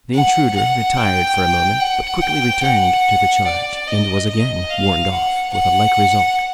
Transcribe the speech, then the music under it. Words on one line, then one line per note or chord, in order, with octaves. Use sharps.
The intruder retired for a moment, but quickly returned to the charge, and was again "warned off," with a like result.
F#5
F#5
G5
F#5
G5
F#5
D5
D#5
D#5
F5
F#5
F#5